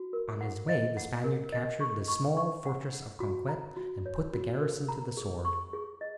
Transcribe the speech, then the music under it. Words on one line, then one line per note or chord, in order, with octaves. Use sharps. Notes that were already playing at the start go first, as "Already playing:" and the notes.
On his way the Spaniard captured the small fortress of Conquet and put the garrison to the sword.
Already playing: F#4
A#4
F#5
D#5
F#5
A#4
D#5
C#6
C#6
C#6
F#5
F#5
F#4
A#5
F#4
C#5
F#4
A#4
A#5
G#4
C#6
G#4
D#5